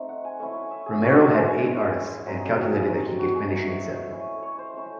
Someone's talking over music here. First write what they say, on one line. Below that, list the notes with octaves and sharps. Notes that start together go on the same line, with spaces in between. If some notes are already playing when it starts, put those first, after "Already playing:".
Romero had eight artists, and calculated that he could finish in seven.
Already playing: A3 C4 D#4
F#5
G#5
A3 C#4 E4
E5
G#4
A3 C#4 E4 F#4
E5
F#5
G#5
G#5
G#3 C#4 E4
F#3 C4 D#4 F#5
D#5
A4
G#4
F#3 C4 D#4 G#4
F#4
G#4
A3 D#4 D#5
E5
D#5 E5
A3 C#4 E4
C#5
C5
A3 C#4 E4